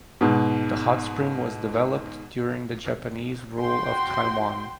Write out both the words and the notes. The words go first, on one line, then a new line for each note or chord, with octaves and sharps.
The hot spring was developed during the Japanese rule of Taiwan.
G#2 B2
F#4 G5 C6